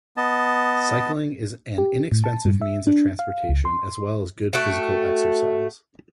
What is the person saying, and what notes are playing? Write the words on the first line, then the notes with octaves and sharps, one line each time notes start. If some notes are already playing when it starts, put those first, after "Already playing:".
Cycling is an inexpensive means of transportation as well as good physical exercise.
B3 D#5 A5
G4
A2
A5
G2
E5
D4
F5
C#2
C6
A3 F#4 G5